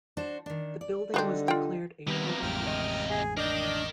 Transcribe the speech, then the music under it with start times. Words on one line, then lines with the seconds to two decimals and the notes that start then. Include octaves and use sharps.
The building was declared a total loss.
0.17 D4 F#4 C5
0.46 D#3 D4
0.81 D5
1.14 D3 G3 C4 D4 D#4 F#4
1.48 F4 G5
2.07 C3 D#3 G3 A#3 B3
2.42 A1 F2 G#3 G5 F6
2.67 D#5
3.09 G#4
3.37 D4 A#4 D#5 G5 D6